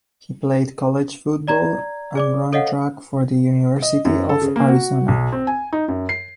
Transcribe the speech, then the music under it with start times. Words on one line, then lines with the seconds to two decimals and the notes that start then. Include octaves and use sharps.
He played college football and ran track for the University of Arizona.
1.48 D5 A#5 G#6
2.15 G#4 D5 D6
2.53 A4 C#5 D#5 F5 F#5
3.82 D#5
4.05 F#2
4.29 A4
4.42 C#3
4.56 A#3
4.69 F#4
5.08 B1
5.32 C4
5.47 G#5
5.73 D#4
5.88 F#2
6.09 C7